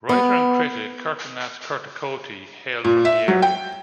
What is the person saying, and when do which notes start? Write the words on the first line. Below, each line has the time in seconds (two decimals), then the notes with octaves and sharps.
Writer and critic Kirtinath Kurtakoti hailed from the area.
0.09 B3
2.84 A#2
3.05 E5
3.28 F#3
3.42 G5